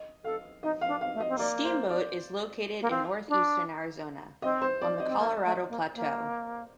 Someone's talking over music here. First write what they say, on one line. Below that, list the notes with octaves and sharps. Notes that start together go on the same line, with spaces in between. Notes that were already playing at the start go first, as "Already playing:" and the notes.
Steamboat is located in northeastern Arizona on the Colorado Plateau.
Already playing: D#5
A4 F5
D#4 D#5
F5
D4
F5
A3
D#5
C4
A#3 D5
C5
D5
A#3
C4 F5
D4
C4 D#5
C5
D5
D#5
C4
A#3
A3
A#3
A#3